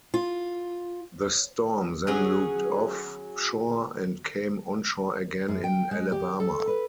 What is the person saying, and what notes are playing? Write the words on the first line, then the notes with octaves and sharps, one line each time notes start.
The storm then looped off shore and came onshore again in Alabama.
F4
F#3 C#4 G#4
F#2
G5
G#3
G4
A4
B4